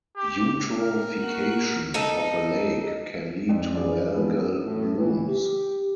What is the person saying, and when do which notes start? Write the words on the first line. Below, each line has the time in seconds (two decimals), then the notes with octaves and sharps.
Eutrophication of a lake can lead to algal blooms.
0.16 G4
0.78 A#4
1.20 A#3 F#4 F#6
1.94 D#4 A4
3.49 F2 D5
3.75 E3 G#4 D5
4.14 E3 F3 B3
4.65 A2
4.96 E3
5.29 G4